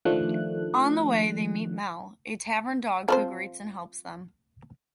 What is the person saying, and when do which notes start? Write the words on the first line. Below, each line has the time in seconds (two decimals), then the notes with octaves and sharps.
On the way they meet Mel, a tavern dog who greets and helps them.
0.05 D#3 F3 A3 D4 F#6
3.08 F3 C4 C5